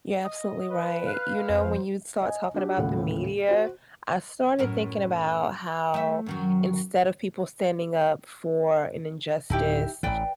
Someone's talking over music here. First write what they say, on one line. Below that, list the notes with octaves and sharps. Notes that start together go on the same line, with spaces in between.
You're absolutely right. You know, when you start talking about the media, I started thinking about how instead of people standing up for an injustice,
D#5
B4
F5 F#6
F2 C5
D#5 G#5
D4 F#4 G4
D#1 A2 C#3 F#5
F#4 C5
F#2 A2 A#4
A3 E5
F#2 D#3 F#3
D1 D#4 E4 G4
A1 E3 B4 D5 G5